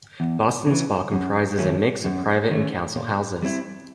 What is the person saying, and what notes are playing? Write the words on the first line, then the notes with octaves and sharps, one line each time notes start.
Boston Spa comprises a mix of private and council houses.
E2
C#3 E3
F#2
D#3 F#3 A3 C#4
F#2
D#3 F#3 A3 C#4
A#2
G3 C4 E4